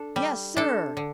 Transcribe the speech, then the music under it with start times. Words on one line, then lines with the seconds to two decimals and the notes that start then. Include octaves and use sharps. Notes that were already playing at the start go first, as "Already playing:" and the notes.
"Yes, sir."
Already playing: D4 A4
0.16 G3
0.57 D4 A4
0.97 D3